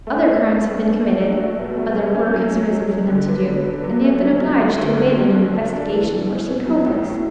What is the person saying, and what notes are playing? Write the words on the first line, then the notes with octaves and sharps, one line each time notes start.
Other crimes have been committed, other work has arisen for them to do, and they have been obliged to abandon an investigation which seemed hopeless.
A3
A3
A3
G2
D4
A3
F#3
F#4
B2
A3
C#4
C#4
F#3
F#3
F#3
F#3
D3
B3
D3
D3
F#3
A3
F#3
F#3
F#3
D2
D3
F#3
D4
A4
D4
E3
B2
C#4
B2
F#3
A2
A2